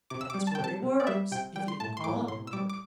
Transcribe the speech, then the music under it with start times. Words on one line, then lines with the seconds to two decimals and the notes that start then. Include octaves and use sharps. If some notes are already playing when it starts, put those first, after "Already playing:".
That's where he works--if you can call it work.
0.10 C3 D6
0.21 E6
0.30 G3 D6
0.47 A5
0.55 G5
0.59 C3
0.64 A5
0.83 C3
1.00 D5
1.07 G3 E5
1.31 C3 G5
1.56 G3 G5
1.68 C6
1.80 A2 A5
1.97 C6
2.04 A2 D6
2.28 A2 C6
2.47 E6
2.53 G3 D6
2.69 D6